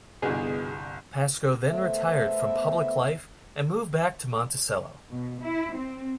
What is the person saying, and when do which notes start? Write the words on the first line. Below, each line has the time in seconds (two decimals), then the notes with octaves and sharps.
Pasco then retired from public life and moved back to Monticello.
0.22 G1 C2 B2 G#4
1.68 A3 B3 C5 E5
5.10 B2
5.42 E4
5.75 C4